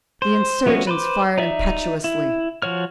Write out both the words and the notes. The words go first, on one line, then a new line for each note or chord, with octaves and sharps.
The insurgents fired impetuously.
C5
F3 A3 B3 C#4 F#4
B4 C5 D6
D#4 D5 E5
E4
F3 F#4 C#5 F6